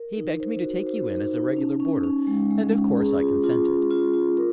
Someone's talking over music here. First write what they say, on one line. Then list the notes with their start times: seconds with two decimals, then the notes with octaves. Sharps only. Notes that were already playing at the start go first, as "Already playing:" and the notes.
He begged me to take you in as a regular boarder and of course I consented.
Already playing: A#4
0.17 D#4
0.40 C5
0.64 F#4
0.87 C5
1.10 D#4
1.33 D#4
1.57 C#4
1.80 C#4
2.04 C#4
2.27 G#3
2.51 G#3
2.74 C#4
2.97 G#4
3.20 F4
3.44 F4
3.66 F4
3.91 F4
4.14 F4
4.37 A#4